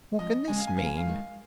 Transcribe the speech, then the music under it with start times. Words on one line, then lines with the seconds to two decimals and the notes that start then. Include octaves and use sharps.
"What can this mean?"
0.19 F2 F3 G#3 D#5
0.48 C#3 G#3 C#4 G#4 G#5
0.58 F5
0.67 G#5
0.77 C#3 F3 C#4 F5
0.86 G#5
0.97 F5
1.05 G#2 D#3 G#3